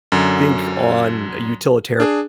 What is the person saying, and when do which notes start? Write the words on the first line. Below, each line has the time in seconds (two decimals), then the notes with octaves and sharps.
think on a utilitar
0.12 F#2 D3 F#3
2.00 D4 G#4